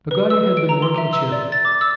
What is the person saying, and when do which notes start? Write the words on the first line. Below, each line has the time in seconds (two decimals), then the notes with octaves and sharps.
Peggotty had been working cheerfully.
0.11 B4
0.30 E6
0.44 B4
0.57 D7
0.69 A#5
0.82 C6
0.98 E5
1.13 E6
1.32 D5
1.52 A6
1.65 D6
1.81 E6